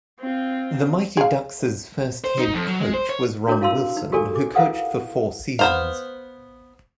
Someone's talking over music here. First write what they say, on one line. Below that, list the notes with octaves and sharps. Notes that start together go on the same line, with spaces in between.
The Mighty Ducks's first head coach was Ron Wilson, who coached for four seasons.
C4 F4
G#4 F5
C5
D#4
F2
F#3
G#3
C5
C#5
D4 F#4 A#4 C#5 A#5 D6
E4 F#4 F5 A5 C6 E6
D#4
F#4 G4 A4 A#4 D5 G#5
D6
E4 A#4 B4 F5 F#5 D#6
B3 C5 F5